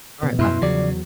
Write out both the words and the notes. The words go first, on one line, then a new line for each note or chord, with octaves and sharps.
Alright, bye.
B2
F#2 E4 C6
E2 C#3 F3 F#3 D5